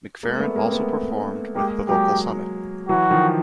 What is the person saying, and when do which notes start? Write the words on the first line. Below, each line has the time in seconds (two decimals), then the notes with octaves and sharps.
McFerrin also performed with the Vocal Summit.
0.23 G#3 A#3
0.39 A3 B3
0.56 G#3 A#3
0.65 C4
0.72 A3 B3
1.55 G#3 A#3 G4
1.89 F#3 G#3 G4
2.89 E3 F#3 F#4
3.11 D#3 F3